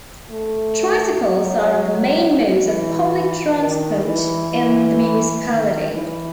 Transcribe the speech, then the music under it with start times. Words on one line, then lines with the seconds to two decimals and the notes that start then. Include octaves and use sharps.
Tricycles are the main modes of public transport in the municipality.
0.31 A3
1.25 F#3
2.65 E3
3.58 D#3
4.05 E3
4.52 E3
5.46 D#3
5.92 E3